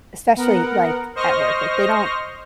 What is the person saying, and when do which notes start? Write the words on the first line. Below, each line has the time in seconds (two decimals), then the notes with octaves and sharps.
especially, like, at work, like, they don't
0.36 B3 A#4 F#5
1.16 C5 D#5 C#6 F6 A#6